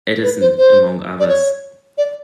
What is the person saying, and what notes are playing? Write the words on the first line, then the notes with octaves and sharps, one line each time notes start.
Eddison, among others.
B4
C5
C5
D5
C#5
D5